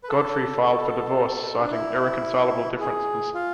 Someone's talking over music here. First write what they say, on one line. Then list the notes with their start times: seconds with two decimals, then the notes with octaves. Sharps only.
Godfrey filed for divorce, citing irreconcilable differences.
0.04 B4
0.09 A4
0.63 A4
1.59 D4
1.71 E4
2.80 G#4
3.35 F4